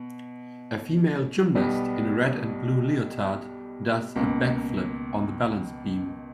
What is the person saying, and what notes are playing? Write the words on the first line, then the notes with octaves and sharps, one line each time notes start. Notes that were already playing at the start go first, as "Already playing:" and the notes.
A female gymnast in a red and blue leotard does a back flip on the balance beam.
Already playing: B2
B1 B2 G3 B3
C#2 B2 A#3